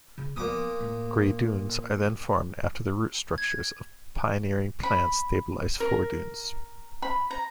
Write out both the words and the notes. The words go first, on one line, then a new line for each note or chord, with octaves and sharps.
Grey dunes are then formed after the root structures of pioneering plants stabilize foredunes.
C#3
A#2 F3 B3 D6 D#6
A2 A#3
G#6
B5
A#4
B5
A#5